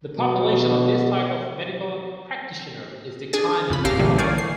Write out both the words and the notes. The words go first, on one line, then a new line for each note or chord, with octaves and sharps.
The population of this type of medical practitioner is declining, however.
B2
D4 G#4 A6
F2 C#3 B5
A#1 C#4 G4 F5 A#5 E6
A#2 D3 E3 G3
C5 D5 F5 G#5 C#6
C7